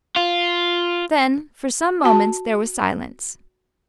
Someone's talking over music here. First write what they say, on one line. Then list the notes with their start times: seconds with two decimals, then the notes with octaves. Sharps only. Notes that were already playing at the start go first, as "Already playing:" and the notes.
Then, for some moments, there was silence.
0.16 F4
2.04 F#4 A5